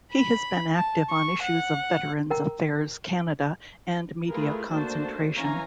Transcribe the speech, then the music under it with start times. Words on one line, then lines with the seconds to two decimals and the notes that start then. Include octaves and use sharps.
He has been active on issues of Veterans Affairs Canada and media concentration.
0.13 B5
0.75 A5
1.10 C#6
1.42 F#5
2.30 A#4 G5 A#5
4.30 A3 E4 F4 G#4 A#4 B4
4.68 A3 A#3 D4 F#4 C5 A5
5.35 E3 C#4 C#5 F5 G#5 A#5